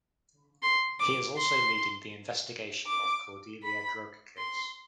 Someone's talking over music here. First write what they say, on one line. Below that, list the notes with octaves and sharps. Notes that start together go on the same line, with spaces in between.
He is also leading the investigation of Cordelia drug case.
C6
D6
C6
D6
B5
C6